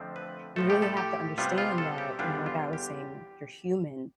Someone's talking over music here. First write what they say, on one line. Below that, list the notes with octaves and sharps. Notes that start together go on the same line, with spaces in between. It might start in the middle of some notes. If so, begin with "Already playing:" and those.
"You really have to understand that," you know, like I was saying, "you're human,
Already playing: F2 D3 F3 A3 C4
B4
A2 F3 A3 A4
G4
A4
G4
C3 G3 B3 F4
F4
A4
G4
E2 D3 G3 D4 F4
F4
G4